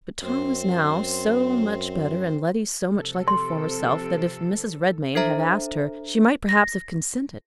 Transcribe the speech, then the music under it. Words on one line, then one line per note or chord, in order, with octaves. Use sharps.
But Tom was now so much better, and Letty so much like her former self, that, if Mrs. Redmain had asked her, she might perhaps have consented.
F#2 C4 C5
C3 F3 A4
C6
D4 A4 C5 E5 A#5
A#6